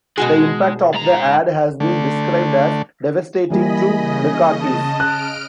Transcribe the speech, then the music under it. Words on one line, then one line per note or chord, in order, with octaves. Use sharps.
The impact of the ad has been described as devastating to Dukakis.
B2 G#3 F#4 G#4
G#2 A#5
D3 A3
E3 G3 A#3 D#5 G#5 B5
C#3 D#5
A5
F6 F#6 D7